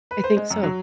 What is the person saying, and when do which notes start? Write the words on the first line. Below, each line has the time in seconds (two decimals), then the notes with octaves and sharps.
I think so.
0.11 B4
0.24 C5
0.37 G#3
0.51 F#2
0.63 F#3